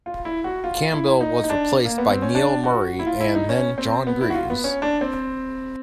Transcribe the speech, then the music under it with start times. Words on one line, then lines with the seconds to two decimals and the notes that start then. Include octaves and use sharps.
Campbell was replaced by Neil Murray and then John Greaves.
0.06 F4
0.25 E4
0.44 F#4
0.64 F4
0.92 E4
1.21 D#4
1.44 D#4
1.50 D4
1.85 A#3
1.98 B3
2.11 C4
2.22 C#4
2.35 D4
2.64 F#4
2.99 E4
3.07 F4
3.20 E4
3.35 D#4
3.49 C#4
3.78 C4
4.07 B3
4.21 E4
4.30 F#4
4.35 F4
4.50 B3
4.64 C#4
4.82 D4
5.01 C4